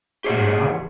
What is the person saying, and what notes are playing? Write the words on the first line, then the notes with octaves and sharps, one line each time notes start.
"And now?"
G4 G#4 C#5 E5 F#5